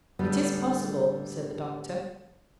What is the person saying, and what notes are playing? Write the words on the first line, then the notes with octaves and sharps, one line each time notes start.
"It is possible," said the doctor.
A2 D3 G3 G#3 B3 D4